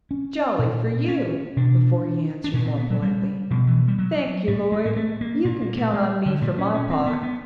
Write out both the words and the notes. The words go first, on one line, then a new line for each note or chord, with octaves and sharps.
Jolly for you!" before he answered more politely, "Thank you, Lloyd, you can count on me for my part.
C#4
A#2
C#4
B2 D4
D4
A#2 C#4
C4
B3
F#3
G3
B2 F3
E3
G3
F#3
A2 G3
G#3
A#3
A3
A#3
A#2 A#3
A#3
A3
G#3
D3
A#2 G3
C#4
C#4
C4
B3
B3